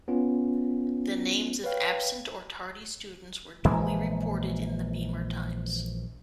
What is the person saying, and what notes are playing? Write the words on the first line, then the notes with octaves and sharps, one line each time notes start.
The names of absent or tardy students were duly reported in the Beemer Times.
B3 C#4 F4
B4 C#5 F5 G5
A#1 E3 G#3 A#3